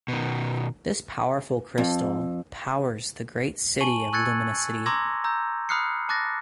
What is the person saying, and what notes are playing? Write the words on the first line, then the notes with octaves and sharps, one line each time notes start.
This powerful crystal powers the great city of Luminicity.
B2 D#3
F2
G#5 A5 C#6 D#7 F#7
C#6 E6 F#6 G#6 A6 C#7
A#5 C6 D6 E6 G#6 A#6
A#5 E6 G6
B5 D#6 F6 F#6 C7 C#7
A5 D6 F#6 A6 A#6